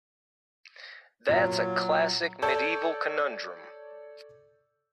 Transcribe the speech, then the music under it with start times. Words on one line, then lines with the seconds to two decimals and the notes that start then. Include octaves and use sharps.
That's a classic medieval conundrum.
1.29 A#2 F#3
2.42 A4 C#5 D5 A5 E6 G6